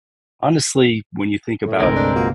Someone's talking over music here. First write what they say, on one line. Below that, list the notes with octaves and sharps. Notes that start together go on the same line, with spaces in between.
honestly, when you think about
A2 A3
G1 C2 D#3 G#3 C4 A#4
D4
A#3 F4 F#4